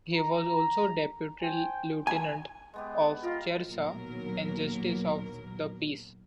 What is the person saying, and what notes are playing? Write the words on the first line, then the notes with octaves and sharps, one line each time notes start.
He was also Deputy Lieutenant of Cheshire and Justice of the Peace.
A#5
C5 G5 G#5
G#5
G#3 B3 G4
F4 A#4 D#5
A#1 D#2 B2 F#3 A#3 A#4